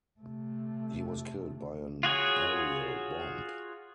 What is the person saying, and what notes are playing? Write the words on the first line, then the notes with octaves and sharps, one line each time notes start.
He was killed by an aerial bomb.
C3 A3
F4 F#4 G#4 C#5